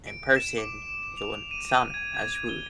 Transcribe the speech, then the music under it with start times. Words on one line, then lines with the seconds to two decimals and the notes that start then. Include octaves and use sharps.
in person, it wouldn't sound as rude.
0.07 D7
0.36 E7
0.58 D6
1.17 F7
1.51 D#7
1.69 D#7
1.94 G#6
2.15 G#6
2.49 G7